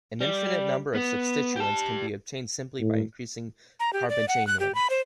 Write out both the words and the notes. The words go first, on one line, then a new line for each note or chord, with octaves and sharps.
An infinite number of substituents can be obtained simply by increasing carbon chain length.
G3
B3
G4 A5
A2
A#5
G4
D5
F#5
F#6
G4
B5
C5